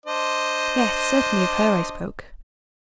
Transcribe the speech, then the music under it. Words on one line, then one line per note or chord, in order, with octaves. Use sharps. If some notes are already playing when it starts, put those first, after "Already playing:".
"Yes, certainly, of her I spoke."
D4 C5 D#5